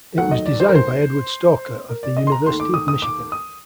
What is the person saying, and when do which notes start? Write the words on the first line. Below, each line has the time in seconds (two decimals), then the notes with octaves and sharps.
It was designed by Edward Stalker of the University of Michigan.
0.17 D#2 D#3 F#3 A3 F#5
0.31 D#5
0.46 D5
0.60 C5
0.68 A#4
0.75 C5
1.89 A#4
2.03 D5
2.17 D#5
2.27 C6
2.32 A#5
2.46 D#2 D#3 A3 C6
2.60 D6
2.74 D#6
2.88 D#6
3.02 D6
3.32 D#6